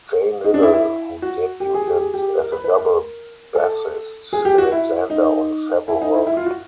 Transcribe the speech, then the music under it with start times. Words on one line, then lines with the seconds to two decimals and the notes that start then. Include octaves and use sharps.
Jane Little, who debuted as a double bassist in Atlanta on February.
0.44 D#4
0.54 D4
0.63 E4
0.73 E4
1.22 F#4
1.60 G4
1.74 G#4
1.87 G4
2.00 G#4
2.14 G4
2.39 A#4
2.52 B4
2.64 B4
2.77 A#4
3.55 A4
4.33 G#4
4.45 G4
4.58 F#4
4.72 E4
5.10 D#4
5.88 E4
6.02 D#4
6.14 E4
6.27 E4
6.37 F4
6.46 F#4